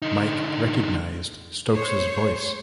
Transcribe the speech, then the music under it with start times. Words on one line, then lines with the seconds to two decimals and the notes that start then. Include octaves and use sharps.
Mike recognized Stokes's voice.
0.02 D3 D#4
1.74 C5 C#5